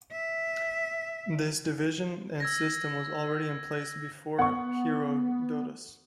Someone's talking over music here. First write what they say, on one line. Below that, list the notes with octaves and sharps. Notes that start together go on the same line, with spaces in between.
This division and system was already in place before Herodotus.
E5
E6 G#6 A#6
B3 F#5 C#6